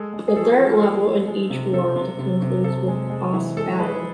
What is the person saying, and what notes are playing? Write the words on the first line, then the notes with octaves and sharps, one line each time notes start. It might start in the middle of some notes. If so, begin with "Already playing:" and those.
The third level in each world concludes with a boss battle.
Already playing: G#3 A4
G#3
G#4
F3 A4
F3
G#3 A4
G#3
G#3
C3
C3 A4
C3
C3
C3
C3 A4
G#3
G#3
E3
G#3 A4
G#3 G#4 B4